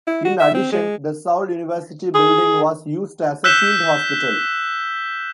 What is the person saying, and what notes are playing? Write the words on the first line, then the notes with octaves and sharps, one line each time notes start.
In addition, the Soule University building was used as a field hospital.
E4
F#4
E5
C4
G#3
G#4
E6 F#6 G6 B6 E7 G7